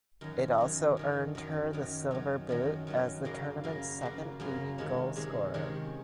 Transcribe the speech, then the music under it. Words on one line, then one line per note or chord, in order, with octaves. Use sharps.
It also earned her the Silver Boot as the tournament's second leading goal scorer.
F#2 D#3 F#3
F#2 D#3 F#3
F#2 D#3 F#3
F#2 D#3 F#3
F#2 D#3 F#3
F#2 D#3 F#3
F#2 D#3 F#3
F#2 D#3 F#3
F#2 C#3 F#3 A#3
F#2 C#3 F#3 A#3
F#2 C#3 F#3 A#3
F#2 C#3 F#3 A#3
C3 D#3 G#3 C#4
C3 D#3 G#3 C#4
C3 D#3 G#3 C#4